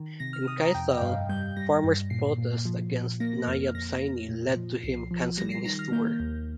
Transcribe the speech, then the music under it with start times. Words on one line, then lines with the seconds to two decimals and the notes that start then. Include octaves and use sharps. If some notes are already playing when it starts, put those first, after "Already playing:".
In Kaithal, farmers' protest against Nayab Saini led to him canceling his tour.
Already playing: D#3
0.20 C3 A#6
0.33 F6
0.48 C3 D#6
0.61 A#5
0.75 F2 G5
0.88 D#5
0.97 G5
1.02 G2 F5
1.29 G3 G6
1.57 G3 A#6
1.84 G2
2.10 A#2 C7
2.38 A#2
2.65 F3
2.92 A#2
3.20 A#3 A#6
3.47 F2 F6
3.75 F2 A#6
4.02 F2
4.29 A#2
4.56 F3
4.83 C2 C7
5.11 F3
5.38 G3 A#6
5.52 C7
5.65 D#3 A#6
5.79 F6
5.92 A#3 G6
6.20 D#2